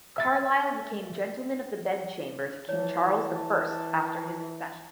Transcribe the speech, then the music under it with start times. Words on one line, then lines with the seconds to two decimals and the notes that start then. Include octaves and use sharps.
Carlisle became gentleman of the bedchamber to King Charles the First after his accession.
0.18 E5 A6
2.69 E3 C#5 A5